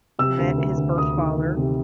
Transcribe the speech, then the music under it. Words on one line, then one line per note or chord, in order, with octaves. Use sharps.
met his birth father
C3 E6
D2
D2
D2
D2 D#6
D#3
D#3
C3